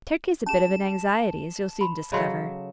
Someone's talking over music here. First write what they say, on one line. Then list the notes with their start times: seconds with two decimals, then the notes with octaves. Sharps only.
Turkey's a bit of an anxiety, as you'll soon discover.
0.46 C#4 G#4 A5 E7
1.81 B5 C6
2.12 C#3 F#3 A4 D#5 B5 C6